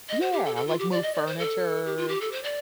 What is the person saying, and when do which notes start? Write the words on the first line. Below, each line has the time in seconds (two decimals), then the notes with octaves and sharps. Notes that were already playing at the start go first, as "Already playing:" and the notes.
Yeah, like move furniture,
0.09 D#5
0.21 C5
0.32 G4
0.45 A4
0.56 A4
0.67 F4
0.79 G4
0.91 D5
1.02 D#5
1.14 D5
1.27 C5
1.39 A4
1.85 G4
1.97 F4
2.08 G4
2.21 A4
2.32 C5
2.43 D5